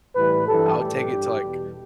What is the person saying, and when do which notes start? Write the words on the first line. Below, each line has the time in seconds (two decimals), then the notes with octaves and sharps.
I'll take it to, like,
0.16 A2 E3 G3 B4
0.47 G2 E3 G3 A4
0.78 A2 E3 G3 G4
1.10 G2 G3
1.41 E2 B2 G3